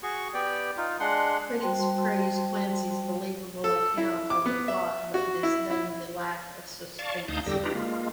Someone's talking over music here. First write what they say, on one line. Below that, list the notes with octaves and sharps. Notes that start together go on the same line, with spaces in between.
Critics praised Clancy's believable account of the plot, but disdained the lack of suspense.
F#4 G#4 C#6
B3 G4 D5 G5
D#4 F4
G#3 D4 F#5 C6
G3 F#4 C5 G5 A5 C6
A4
E4
D6
B3
E5
F#4
E4
E4
D5 F5 A5 C#6
D2 D#4 F5 A5 D#6 G6
E2 D3 G3 G4 E6 A#6
D4 D#4 F4 G4 B4 A#5
G#3 A#3 F4